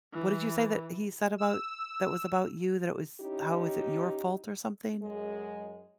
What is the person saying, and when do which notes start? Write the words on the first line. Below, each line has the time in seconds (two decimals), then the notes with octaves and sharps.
What did you say that he said about that was about you, that it was how was it your fault or something?
0.14 E3
1.38 E6
3.21 C#4 D#4 E4 G4
5.02 F#2 G#3